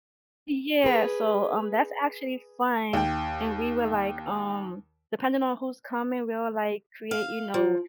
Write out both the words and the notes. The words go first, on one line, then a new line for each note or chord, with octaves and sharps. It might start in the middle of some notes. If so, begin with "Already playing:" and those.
Yeah, so, um, that's actually fun, and we were like, um, depending on who's coming, we'll like create, you know,
G#4 B4
D#2 G5
F5
F3